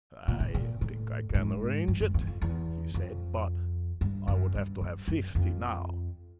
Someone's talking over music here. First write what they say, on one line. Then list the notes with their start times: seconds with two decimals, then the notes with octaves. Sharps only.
"I think I can arrange it," he said, "but I would have to have fifty now."
0.28 A#2
0.40 A2
0.54 A#2
0.81 A2
1.30 G2
1.34 G#2
1.88 G2
2.01 F#2
2.14 F2
2.21 E2
2.27 F2
2.42 E2
2.94 F2
4.01 G2
4.28 F#2
4.55 G2
4.81 F#2
5.08 F#2
5.35 F2